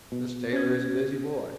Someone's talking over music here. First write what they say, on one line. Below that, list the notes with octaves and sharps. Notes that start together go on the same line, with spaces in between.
This tailor is a busy boy.
B2
C#4 G#6